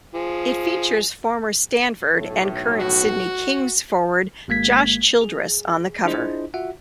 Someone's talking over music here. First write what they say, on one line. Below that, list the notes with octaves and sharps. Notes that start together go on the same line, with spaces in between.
It features former Stanford and current Sydney Kings forward Josh Childress on the cover.
F3 G#4
B1 A2
F#4
G#1 G#3 A#3 G#6 B6
G#4
D4 E4 F4 G#4 C5 D#5
F4 F#4 E5 F#5